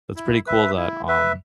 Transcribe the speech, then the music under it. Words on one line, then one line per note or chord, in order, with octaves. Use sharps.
so it's pretty cool that, um
E4
B4 E5
E4
B4 E5